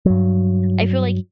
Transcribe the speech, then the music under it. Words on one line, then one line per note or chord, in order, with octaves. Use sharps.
I feel like
G2 F#3